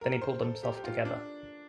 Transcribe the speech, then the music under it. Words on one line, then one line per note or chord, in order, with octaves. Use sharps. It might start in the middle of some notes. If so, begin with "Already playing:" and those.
Then he pulled himself together.
A#4
C5
A4
G4
G4
F4
D4